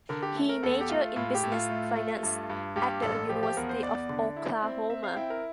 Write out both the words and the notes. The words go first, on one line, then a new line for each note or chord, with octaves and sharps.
He majored in business finance at the University of Oklahoma.
D3 A#4
G4
A3
A#4
E2 A4
G4
A3 F4
A2 F4
G4
A2
F4
A3
A3
G2
G2
G2 G4
A1 A4
F3 G4
G4
E2 A#4
C5
E2 D5
D3
E4
C4
C4 E5
F5
E4 G5
A#4